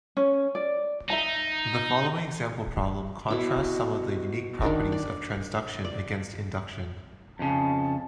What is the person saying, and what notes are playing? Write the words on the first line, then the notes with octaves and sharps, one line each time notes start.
The following example problem contrasts some of the unique properties of transduction against induction.
C#4
D5
D#4 E5 A#5
B2 E4 D6
D#3 D4 D#4 A#4
D5
D5
F2 C#3 A5